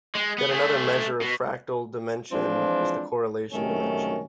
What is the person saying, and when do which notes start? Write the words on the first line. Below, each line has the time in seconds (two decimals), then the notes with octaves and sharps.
Yet another measure of fractal dimension is the correlation dimension.
0.15 G#3
0.38 B3
0.51 A3 G#4
1.21 B2
2.32 E3 F3 G#3 C4 D4 F4
3.52 F#2 C3 D#3 A3 C#5 G#5